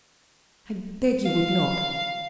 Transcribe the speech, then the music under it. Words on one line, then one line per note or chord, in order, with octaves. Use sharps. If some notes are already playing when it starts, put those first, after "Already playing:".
I beg you would not.
F5